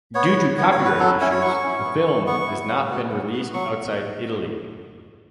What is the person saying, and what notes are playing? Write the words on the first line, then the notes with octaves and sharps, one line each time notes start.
Due to copyright issues, the film has not been released outside Italy.
B3 C#5
F#4
B3 C#5
C#5
F#4
B4
F#3 A4
C#4 E4 C#5
C#5
F#3 C#6
C#4 E4
B3
E4
B3 C#6
E4
F#3
B3 F#4
F#3
B3 F#4
F#3 C#6